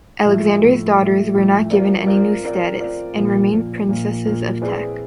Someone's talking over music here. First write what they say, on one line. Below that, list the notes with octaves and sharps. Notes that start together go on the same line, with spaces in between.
Alexander's daughters were not given any new status, and remained Princesses of Teck.
A2 F3 A3
A2 F3 A3
A2 F3 A3
A2 F3 A3
C4 F4 A#4 D5
C4 F4 A#4 D5
C4 F4 A#4 D5
C4 F4 A#4 D5
A#2 F3 A#3
A#2 F3 A#3
A#2 F3 A#3
A#2 F3 A#3
C4 E4 G#4 B4 D5